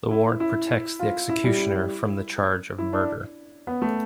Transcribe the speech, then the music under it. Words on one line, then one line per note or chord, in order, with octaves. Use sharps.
The warrant protects the executioner from the charge of murder.
E4
E4
F4
E4
G3
E4
E4
D4
B3
A3